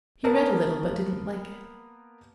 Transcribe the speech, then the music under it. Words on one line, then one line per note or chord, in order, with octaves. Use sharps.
He read a little but didn't like it.
A#3 B3 A#4 B4 A5